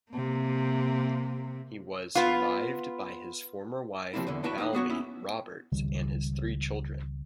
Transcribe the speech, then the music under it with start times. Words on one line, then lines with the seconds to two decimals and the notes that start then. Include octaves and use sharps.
He was survived by his former wife Valmai Roberts and his three children.
0.12 C3 A#3
2.15 B3 F4
4.13 C3 F3 F#3 A#3 C4 E4
4.27 E2 D3 E3
4.44 D4 E4 F#4 B4 E5 A5
4.58 A#3 D#4 B4
4.73 A#3 B3 F#4 C#5
4.90 B3 C#4 E4
5.72 C#2 D#3 G3